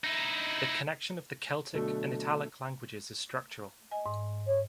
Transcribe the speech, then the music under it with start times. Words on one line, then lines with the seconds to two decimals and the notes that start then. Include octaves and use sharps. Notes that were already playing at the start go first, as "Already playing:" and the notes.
The connection of the Celtic and Italic languages is structural.
0.04 D#4 E4
1.74 B2 D3 F#3 A3 A4
3.91 D#5 G#5
4.06 G#2
4.47 C#5